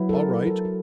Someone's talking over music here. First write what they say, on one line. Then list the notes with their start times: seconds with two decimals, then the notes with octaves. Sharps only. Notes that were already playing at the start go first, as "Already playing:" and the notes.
'All right.
Already playing: F#3 B3 E4
0.09 A4
0.13 A#4
0.47 A4
0.65 F#4